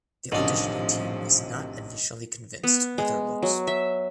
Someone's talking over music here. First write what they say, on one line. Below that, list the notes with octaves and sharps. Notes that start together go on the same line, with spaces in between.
The auditioning team was not initially convinced with her looks.
A#1 F#2 A2 C3 D#3 F3 D4 D#5
B3
G#3
F#3
E5